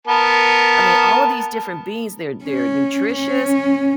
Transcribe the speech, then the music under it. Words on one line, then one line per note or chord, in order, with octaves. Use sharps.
I mean, all of these different beans, they're they're nutritious
B3 A#4 A5
C#4
C#4